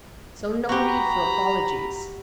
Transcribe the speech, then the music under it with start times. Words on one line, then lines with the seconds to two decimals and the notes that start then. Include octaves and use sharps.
"So no need for apologies."
0.69 F#4 G4 A#5 B5